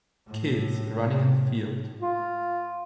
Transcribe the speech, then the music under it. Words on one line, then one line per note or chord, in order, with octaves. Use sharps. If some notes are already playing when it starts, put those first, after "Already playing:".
Kids running in the field.
A2
F4